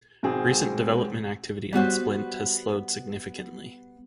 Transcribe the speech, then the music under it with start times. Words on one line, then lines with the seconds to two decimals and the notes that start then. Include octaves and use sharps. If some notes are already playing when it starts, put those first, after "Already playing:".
Recent development activity on Splint has slowed significantly.
0.23 G#1 G#2 B2 C4 G#4
1.73 G3 B3 F#4 C5